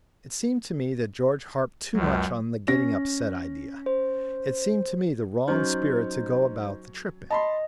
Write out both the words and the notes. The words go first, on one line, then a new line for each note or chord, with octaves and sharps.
It seemed to me that George harped too much on the getting-upset idea. It seemed to me the wrong spirit to go about the trip in.
C#2 F#2 F#3
C#4 A#6
C5
F#3 C#4 D#4 C5
D#5 A5 B5 C6